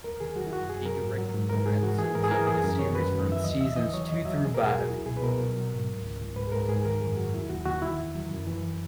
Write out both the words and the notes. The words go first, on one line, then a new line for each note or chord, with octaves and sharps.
He directed four episodes of the series from seasons two through five.
D#2 A#4
D#3 G#4
F#3 F#4
E4
F#2 F#4
F#2 G#4
F#3 A#4
G#2
F#3
G#2
G#2 A#4
G#2 G#4
E3 F#4
E3 G#4
G#2 A#4
G#4
E3 A#4
F#2 G#4
F#2 A#4
D#3 C#5
F#2 B4
F#2
E3 E5
D#2 D#5
C#3 E5
E3 D#5
F#3 C#5
E2 D#5
F#3 E5
B2 G#4
A#4
E2
G#4
F#3 F#4
C#2 E4
B2 G#4
B4
B2 A#4
F#3
F#3
G#2
C#2
C#2
C#2
G#2 B4
G#4
G#2 A#4
G#2 G#4
D#3 A#4
F#2 G#4
F#3 F#4
D#2 E4
D#2 F#4
D#2 F#4
D#3 E4
E2
F#3
F#2
E3